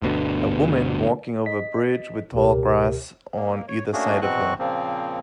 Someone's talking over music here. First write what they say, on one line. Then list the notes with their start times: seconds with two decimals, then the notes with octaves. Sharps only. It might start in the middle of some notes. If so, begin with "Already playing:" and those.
A woman walking over a bridge with tall grass on either side of her.
0.02 G1 D2 B2 D3
1.46 D#5 B6
2.34 C#2 B2 G4 A#4
3.36 A#3
3.68 C#5
3.93 A3 A#3 C#4 D4 F#4 G#4
4.22 E2 B2 C4 F#4 C#6 F#6
4.59 A#2 C#3 F3 A#3 C4